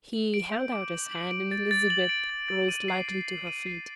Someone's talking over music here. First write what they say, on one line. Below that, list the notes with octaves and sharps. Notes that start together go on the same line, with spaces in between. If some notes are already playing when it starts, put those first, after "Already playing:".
He held out his hand and Elizabeth rose lightly to her feet.
F#7
D7
G6
D6
F#7
F#7
D7
A6
A6
F#7
D7
A6
A6
D#7
C7
A6
F#7
D#7
C7